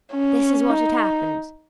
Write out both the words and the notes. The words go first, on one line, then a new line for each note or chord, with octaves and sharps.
This is what had happened.
C#4
D#4